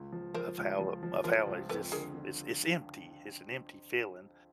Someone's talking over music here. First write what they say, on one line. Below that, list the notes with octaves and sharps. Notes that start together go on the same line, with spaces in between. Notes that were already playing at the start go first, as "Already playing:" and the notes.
of how of how it's just it's it's empty, it's an empty feeling,
Already playing: C#2
F3
F3 A#4 C5
C#2
F3
F3
F3 A#4 C5
C#2
F2 A4 B4
D3 G#4 A#4
D3